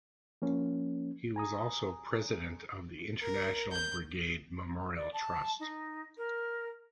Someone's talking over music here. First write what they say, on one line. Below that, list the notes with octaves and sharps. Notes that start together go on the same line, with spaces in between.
He was also President of the International Brigade Memorial Trust.
F3 A#3 C#4
G#5 A#5 D#6
A#4
G6
D5
A5
D#4
A#4